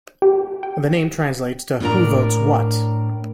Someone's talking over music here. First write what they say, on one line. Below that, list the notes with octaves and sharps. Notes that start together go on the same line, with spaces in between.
The name translates to "Who Votes What".
G4
G5
A2 B3 D4 A#4 D5 A#5